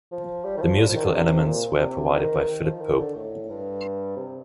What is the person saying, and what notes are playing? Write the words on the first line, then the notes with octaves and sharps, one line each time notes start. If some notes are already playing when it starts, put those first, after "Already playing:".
The musical elements were provided by Philip Pope.
F3
G3
D#3
F3
G3
F3
D#3
D3
C3
A#2
C3
D#3
F3
D#3
D3
A2
G2
C3